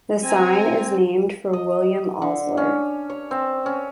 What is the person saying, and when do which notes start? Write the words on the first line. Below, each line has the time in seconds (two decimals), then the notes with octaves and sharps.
The sign is named for William Osler.
0.23 C4 G#5 A#5
1.53 D#5
2.22 D3
2.57 C#4
3.10 C#5
3.31 C4
3.66 C#4